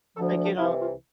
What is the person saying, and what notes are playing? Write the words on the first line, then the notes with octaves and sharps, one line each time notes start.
like, you know
D2 D3 F3 A4
D4
C2 C3 E3 E4
F4